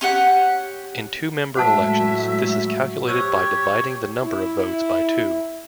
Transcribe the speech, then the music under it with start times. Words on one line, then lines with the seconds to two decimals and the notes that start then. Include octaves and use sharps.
In two-member elections this is calculated by dividing the number of votes by two.
0.01 C#4 G4 F#5
1.55 A2 F#3 G#3 F#4 C5 E5 F#5 A5
3.08 G4 C5 C#5 E6
4.23 E4